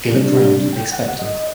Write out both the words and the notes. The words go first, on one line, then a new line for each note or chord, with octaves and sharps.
He looked round, expectant.
C3 G3 D4
G4
G5
F#5
D#5